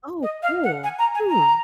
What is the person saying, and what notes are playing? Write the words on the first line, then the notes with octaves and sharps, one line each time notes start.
Oh, cool. Hmm.
D#5
F5
F#5
G#5
A#5
G#5
A#5